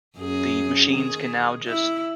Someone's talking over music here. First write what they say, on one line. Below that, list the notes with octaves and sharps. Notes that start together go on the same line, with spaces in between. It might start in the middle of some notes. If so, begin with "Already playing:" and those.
the machines can now just
F#2 G#4
D#3 G#4
E4